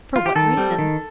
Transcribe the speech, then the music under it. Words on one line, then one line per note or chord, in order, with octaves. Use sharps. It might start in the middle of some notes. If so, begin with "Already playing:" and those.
"For what reason?"
F4
G4
D#3 A4
G3 C4
D#3